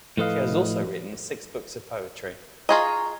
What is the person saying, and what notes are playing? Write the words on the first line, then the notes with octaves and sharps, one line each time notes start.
She has also written six books of poetry.
A2 F3 A4 B4 D#5 F5
F4 G#4 D#5 A#5 C#6